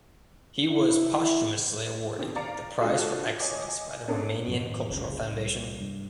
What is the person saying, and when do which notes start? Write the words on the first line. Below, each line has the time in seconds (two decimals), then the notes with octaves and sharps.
He was posthumously awarded the Prize for Excellence by the Romanian Cultural Foundation.
0.69 E4
2.18 B2 D3 D#3 C4 G4
2.35 D5 F5 A#5 A6 C#7
2.80 G#3 D4 F4 F#4 A4
3.38 C#5 D#5 G#5 D6 G#6
3.67 D#5 G#5
4.08 B3 C#4 D4 A4 A#4
4.48 F#2 A2 D#3 F3
4.90 F#1 C#2 C#3
5.34 C2
5.81 G2